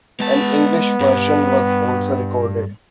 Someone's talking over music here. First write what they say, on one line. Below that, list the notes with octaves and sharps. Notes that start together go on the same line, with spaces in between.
An English version was also recorded.
G#3 B3 A5
G2